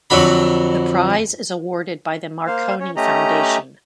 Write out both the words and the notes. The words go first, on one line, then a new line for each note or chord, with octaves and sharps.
The prize is awarded by the Marconi Foundation.
F2 D3 F#3 B5
A#3 C5 F5
C#4 C#5
A3 C#4 G4 D#5 A#5